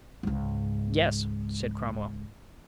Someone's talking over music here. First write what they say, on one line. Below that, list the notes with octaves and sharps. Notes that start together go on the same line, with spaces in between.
"Yes," said Cromwell.
C#2 G#2